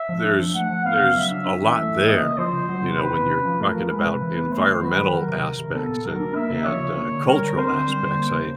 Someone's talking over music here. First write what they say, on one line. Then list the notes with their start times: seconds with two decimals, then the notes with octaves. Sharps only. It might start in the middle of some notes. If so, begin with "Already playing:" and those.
there's there's a lot there, you know, when you're talking about environmental aspects and and, uh, cultural aspects. I
Already playing: E5
0.09 F3
0.23 D4
0.40 F3
0.54 A3 F#5
0.69 F3
0.85 B3 F5
1.00 C#3
1.15 F#3 E5
1.31 D4
1.46 C#4
1.61 E3
1.76 A3
1.92 E3
2.07 A#3 D#5
2.23 C#3
2.38 F3 C5
2.53 C#3
2.69 F#3
2.84 C3
2.99 D#3 B4
3.14 C3
3.29 C#4
3.45 F3
3.60 A3 A#4
3.75 F3
3.91 G#3 B4
4.06 C3
4.22 E3
4.37 B3
4.51 A3 C5
4.67 D#3
4.83 F#3 B4
4.97 D#3
5.12 F#3 A#4
5.28 C3
5.44 D#3
5.59 C3
5.74 B3 A4
5.89 A#2
6.05 F#3 A#4
6.20 D4
6.35 A#3 E5
6.50 C#3
6.65 F3 C#5
6.81 C#3
6.97 A#3
7.11 D3
7.27 G3 A#4
7.42 D3
7.57 C4 C5
7.72 D3
7.88 G3
8.03 D3
8.19 A#3
8.34 C#3